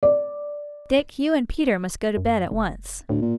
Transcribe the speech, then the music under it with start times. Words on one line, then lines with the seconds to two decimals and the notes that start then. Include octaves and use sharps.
Dick, you and Peter must go to bed at once.'
0.03 D5
2.17 F#2
2.51 F1
3.09 D2 A2
3.22 A#2